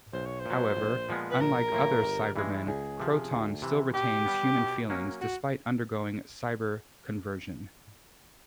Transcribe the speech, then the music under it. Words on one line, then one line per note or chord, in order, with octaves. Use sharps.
However, unlike other Cybermen, Kroton still retains human feelings despite undergoing cyber-conversion.
B1 C5
C#5
C5
A#2 F#3
A#1
A#2 F3 G#3 B3
B4
A#1 A#4
A2 F3 A#3
G1
G2 E3 G#3
C#2 G#4
C3 F3
D2
C3 E3
B2 G4
G3 B3
B2
F#3 A#3 C#4
F#4